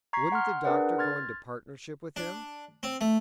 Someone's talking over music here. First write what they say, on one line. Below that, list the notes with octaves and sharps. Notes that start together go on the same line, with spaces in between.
Wouldn't the Doctor go into partnership with him?
A#5 C#6 G#6 B6 C7
F#5 C6 F6
D4 G#4 A#4 B4 D5 F#5
C6 F6 G#6 A6
D4
C4
A3